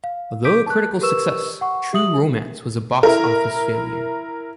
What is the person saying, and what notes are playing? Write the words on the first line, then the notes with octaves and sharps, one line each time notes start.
Although a critical success, "True Romance" was a box office failure.
F5
D6 G6 B6 D7
A5 F#6
G4 A#4 B4 C#6 E6 E7
F#5 C#6
G4 E5 D#6 F#7
E4 A#4